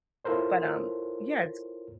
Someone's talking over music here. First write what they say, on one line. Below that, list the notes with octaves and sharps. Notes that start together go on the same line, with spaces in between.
but, um Yeah, it's
E4 F4 A4 A#4 C5 C#5